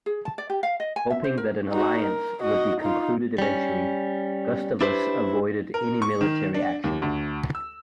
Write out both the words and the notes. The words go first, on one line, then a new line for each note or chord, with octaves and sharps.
Hoping that an alliance would be concluded eventually, Gustavus avoided any military action.
G#4
A5
D5
G4
F5
D#5
G#5
E5
C5
A#4
D#4 F#4
A#4
F#4 D#5
D#4 F4
G3 C#4
D4 E4 G4 B4 C5
A#4
C#6
D#3
D4
D#2
D2
E6